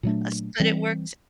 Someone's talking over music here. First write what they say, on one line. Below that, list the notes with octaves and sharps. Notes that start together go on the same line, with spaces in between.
uh, s but it works
A#2 F#3 A3 D4
E3 G3 C4